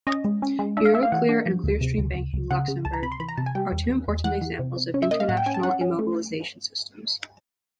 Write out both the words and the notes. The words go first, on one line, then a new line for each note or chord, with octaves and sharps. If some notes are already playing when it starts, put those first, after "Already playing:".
Euroclear and Clearstream Banking, Luxembourg are two important examples of international immobilisation systems.
C#4 D#5
G#3
C#4
G#3
D4 E5
F5
A3 E5
F5
E3 F#5
D4
F3
D2
C3
D2
C#2
C#2
C#3 F#5
C#3
C#2 A5
A#5
C3 B5
C6
E3 B5
A#5
C3 A5
G#5
G3 G5
E2
E2
E2
E3 F#5
E3
C3
C3
C#4
E5
A#3 D#5
F5
A2 F#5
G5
C#4 G#5
A5
C#4 F#5
C#4
A3